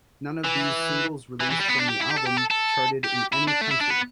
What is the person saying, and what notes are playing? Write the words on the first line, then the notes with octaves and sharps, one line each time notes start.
None of the singles released from the album charted in any country.
E3
E3
E3
G3
B3
D4
G4
E4
G4
A4
G4
A4
A4
G4
E4
D4
A3
E4
D4
B3